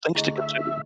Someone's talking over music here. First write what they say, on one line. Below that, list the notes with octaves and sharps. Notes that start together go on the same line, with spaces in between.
things to consider.
D2 E4 G#4 D#5
E5